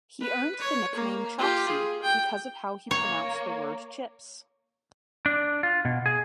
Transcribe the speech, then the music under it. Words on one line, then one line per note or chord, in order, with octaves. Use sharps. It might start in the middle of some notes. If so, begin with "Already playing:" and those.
He earned the nickname 'Chopsy' because of how he pronounced the word 'chips'.
B4
C#5
A#3
F4 G4
G#4
G5
A#3 C#5
D4
F4
B2
G#4